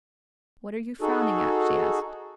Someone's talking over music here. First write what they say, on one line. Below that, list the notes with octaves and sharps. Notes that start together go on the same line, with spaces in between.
"What are you frowning at?" she asked.
D#4 F#4 G#4 A4